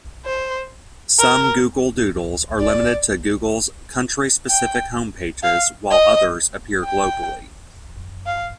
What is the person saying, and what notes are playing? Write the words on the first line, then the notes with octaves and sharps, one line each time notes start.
Some Google Doodles are limited to Google's country-specific home pages while others appear globally.
C5
A#4
D5
G5
F5
D#5
G5
F5